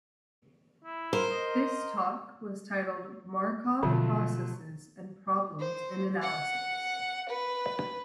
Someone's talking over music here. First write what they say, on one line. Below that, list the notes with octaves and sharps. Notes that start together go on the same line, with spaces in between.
This talk was titled "Markov processes and problems in analysis".
E4
A#4 C5
D#5
B2 D3 F3 F#3 A3
C5
F#5
B4